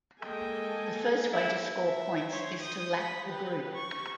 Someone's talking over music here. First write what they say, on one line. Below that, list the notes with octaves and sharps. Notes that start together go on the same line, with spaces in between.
The first way to score points is to lap the group.
G#3 A#3 A4 D#5 G5 G#5
F#3 E4 G4
E5
C5 C#5
D#6 G6
B5 B6
G4 B4
C#6